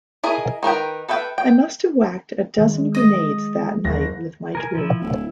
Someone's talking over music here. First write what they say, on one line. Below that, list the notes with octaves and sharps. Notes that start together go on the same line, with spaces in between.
I must have whacked a dozen grenades that night with my tool.
E4 G#4 A#4 D#5
D#3 A#4 B4 G5
A4 B4 E5 G5
G5
D#3 F#3 G#3
G#3
D#5
F#1 D#2 D#3 A#6
A#4 G#5
F3 E4
D1 E4